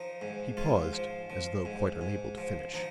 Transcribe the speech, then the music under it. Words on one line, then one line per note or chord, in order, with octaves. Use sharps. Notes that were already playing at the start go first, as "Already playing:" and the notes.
He paused as though quite unable to finish.
Already playing: F3 D#4
G#2
G#2 F4
F3
F3
G#2
G#2
F3
F3 D#4